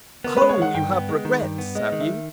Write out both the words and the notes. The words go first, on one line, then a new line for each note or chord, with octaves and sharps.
"Oh, you have regrets, have you?"
B3 A#4
B4
G#3
C#5
D#3 F#5
G2 G5
B3
G#3
D#3
G2
B3
G#3 D#5
D#3
E5